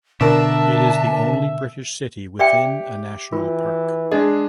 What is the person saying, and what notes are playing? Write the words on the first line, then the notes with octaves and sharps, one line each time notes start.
It is the only British city within a national park.
B2 D3 D4 A#4 E5 A5
G4 D5 E5 G5
E3 F4
G#3 D4 G#4 D#5